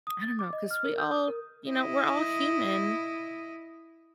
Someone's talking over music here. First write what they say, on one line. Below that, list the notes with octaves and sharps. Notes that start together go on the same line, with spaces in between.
I don't know, 'cause we all you know, we're all human.
D#6
A6
D6
D#5
F6
A#4
G6
D#6
A#4
E4 D#5